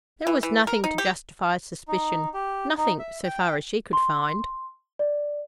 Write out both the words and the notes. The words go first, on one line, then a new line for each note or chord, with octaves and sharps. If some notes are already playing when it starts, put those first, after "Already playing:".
There was nothing to justify suspicion, nothing, so far as she could find.
E3
E3
A#4
D#4
G4
D#4
G4
D#4
E5
G5
C6
D5